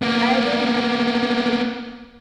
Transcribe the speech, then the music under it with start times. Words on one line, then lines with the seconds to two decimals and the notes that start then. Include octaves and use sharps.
I really intentionally choose which
0.02 A#3 B3